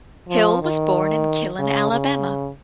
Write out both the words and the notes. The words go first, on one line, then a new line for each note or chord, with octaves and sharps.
Hill was born in Killen, Alabama.
F3
D#3
C#3
C#3